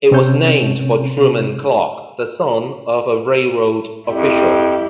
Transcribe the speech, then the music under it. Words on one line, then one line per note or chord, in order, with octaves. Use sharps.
It was named for Truman Clark, the son of a railroad official.
C3 C4 C#4 C#5 G6
F2 E4 G4